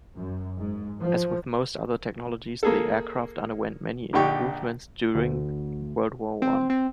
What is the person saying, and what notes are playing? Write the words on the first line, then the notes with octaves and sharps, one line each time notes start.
As with most other technologies, the aircraft underwent many improvements during World War One.
F#2
G#2
F3
A#3 G#4 A4
A#1 D3 D#4 G4 C#6
D2
C4
C4